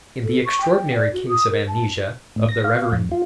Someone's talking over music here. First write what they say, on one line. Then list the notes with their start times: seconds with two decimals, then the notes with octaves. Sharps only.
In the extraordinary case of amnesia of the Rev.
0.24 A4
0.45 C#6
0.61 G5
0.95 D5
1.13 F#4
1.28 D#6
1.50 A#4
1.68 A5
2.36 A2
2.49 A#6
2.64 F5
2.92 F2
3.11 F4